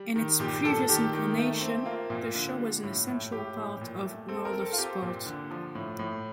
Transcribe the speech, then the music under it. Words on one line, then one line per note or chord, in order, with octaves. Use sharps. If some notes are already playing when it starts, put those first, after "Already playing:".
In its previous incarnation, the show was an essential part of "World of Sport".
Already playing: G3
D#3
A#2 G4
A#2 A4
D#3 G4
D#3
A3
C4
A#3 F4
A#2
D3
G3
A2
A2
A2 G4
A2
A#2
A3
C4 A4
A#4
C4
A4
F4
C4 G4
A#2
D3
F3
A2
A2